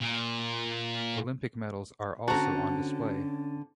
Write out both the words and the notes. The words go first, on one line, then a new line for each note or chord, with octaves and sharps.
Olympic medals are also on display.
A#2
D3 C4 C#4 F#4 A5 A#5